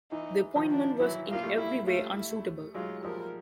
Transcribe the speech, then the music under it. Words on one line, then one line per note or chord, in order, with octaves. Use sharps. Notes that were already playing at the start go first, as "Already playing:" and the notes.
The appointment was in every way unsuitable.
E3 D#4
D#3 F3
D4
E3 F#3 E4
A#3 F4
G3 A3
E4
G3 A3 F4
E4
F#3 G#3 F4
F3 G3 A#4